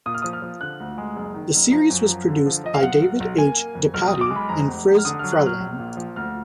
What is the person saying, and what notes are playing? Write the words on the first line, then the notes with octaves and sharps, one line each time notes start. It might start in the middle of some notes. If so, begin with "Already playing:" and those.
The series was produced by David H. DePatie and Friz Freleng.
A#2 D#6
F6
F3 D#6
F6
F3
D3 F#6
D2
G#3
F#1
D#3
F#1
F3 A#5
F#2
F3
D3
F3
F3 D#5
F5
B1 F#5
B1
B1
A#3 G#5
A#3
F2
B1 F6
D#6
B1
D6
G#3
B5
F2 A#5
F1
F1
F6
D3 D#6
F#3 F6
F#6
F#3 F6
A#1
A#2
F3
D2 F6